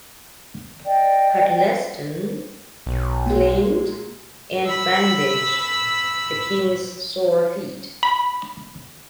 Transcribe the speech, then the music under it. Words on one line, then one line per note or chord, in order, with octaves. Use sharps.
Huddleston cleaned and bandaged the King's sore feet.
D5 D#5 G5
B1
A#2 G#3
B5 E6
B5